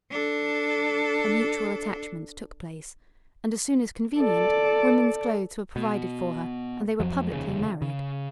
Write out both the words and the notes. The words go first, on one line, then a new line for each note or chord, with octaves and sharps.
A mutual attachment took place, and, as soon as convenient, women's clothes were provided for her, and they were publicly married.
D4 A4
A4 D5
B2
F2 F3 F#3
F1 D#2 C#3 C#4
C#3